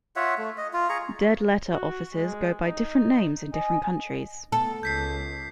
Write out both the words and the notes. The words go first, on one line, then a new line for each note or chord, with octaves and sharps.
Dead letter offices go by different names in different countries.
F4 C#5 E5 F#5
A3
D#5
F4
G#4 A#5 C#6
F#4
G#3
D#4
D#5 G#5
B3 A4
C#2 G6 B6 C7